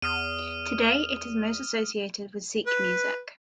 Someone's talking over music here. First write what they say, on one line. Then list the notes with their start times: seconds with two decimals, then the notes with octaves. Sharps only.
Today it is most associated with Sikh music.
0.02 E2 D#6 F6 D#7
2.67 B4